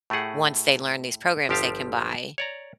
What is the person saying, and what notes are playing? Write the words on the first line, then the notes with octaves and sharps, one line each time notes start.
once they learn these programs they can buy
A2 A3 G4 G#4 F#5
G1 F3 G4 E5 F5 A5
C#5 D5 A#5